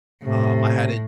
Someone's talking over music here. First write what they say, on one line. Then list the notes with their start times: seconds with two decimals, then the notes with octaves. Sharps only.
um, I had it
0.24 A2 C3